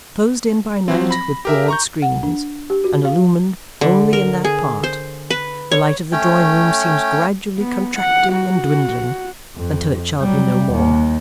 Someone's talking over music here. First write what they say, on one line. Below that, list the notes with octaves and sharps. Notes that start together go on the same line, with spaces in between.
Closed in by night with broad screens, and illumined only in that part, the light of the drawing-room seems gradually contracting and dwindling until it shall be no more.
F3 F#3 C4
B5 A#6
G4 A#4 E5
A#5 C#6 G6
F#5
D4
G4
F#4
F5
D3
A#4
G#4
C5
B4
C#5
A3 C#4 C#5 G5
B3
F#5
F#4
F2
F#3 G3
D#2